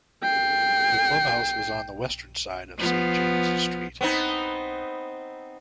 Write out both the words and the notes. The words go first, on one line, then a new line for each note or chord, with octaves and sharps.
The clubhouse was on the western side of Saint James's Street.
G5 C7
F3 B3
B3 C4 D#4